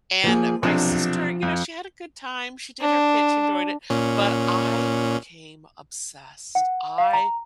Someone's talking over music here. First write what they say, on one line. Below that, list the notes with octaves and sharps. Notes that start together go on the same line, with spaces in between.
and my sister, you know, she had a good time, she did her kit, she enjoyed it, but I became obsessed. I
F3 A#3 G#4
B1 C3 F3 D4
F2
D4
A#2 C#4
F#5
F5
A#5